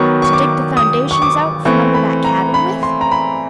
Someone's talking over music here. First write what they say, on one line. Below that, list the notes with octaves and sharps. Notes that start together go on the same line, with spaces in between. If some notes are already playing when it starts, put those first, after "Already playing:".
"To dig the foundations out from under that cabin with?"
Already playing: D#3 F#3 B3 C#6
C#6
D6
D#6
C#6
D6
E3 A3 C4 C#6
B5
A#5
B5
C6
A#5
B5